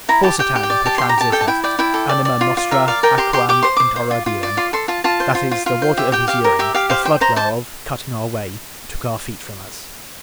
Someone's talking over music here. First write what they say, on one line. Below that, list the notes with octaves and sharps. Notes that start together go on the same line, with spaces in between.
Forsitan pertransisset anima nostra aquam intolerabilem; that is, the water of his urine, the flood whereof, cutting our way, took our feet from us.
E4 A#5
G4 A5
G4 G5
G4
G5
D5
G4 A5
C6
G4
A#5
G4 A5
A4 G5
A5
E4 G5
D5 G5
E4 G5
A4
D5
D5
F4
F4
A#4 E5
D5 F5
A#4 G5
G4 C6
G4 C6
G4 D6
C5 C6
C5 D6
C5
F4
F4
D5
F4 C6
A4 C6
F4 A5
F4 A5
C5
F4
F4
F4
C5
G4 E5
G4 G5
G4 F5
A#4
G4 E5
G4 F5
C5 F5
C5 G5
C5 A#5
C5 A5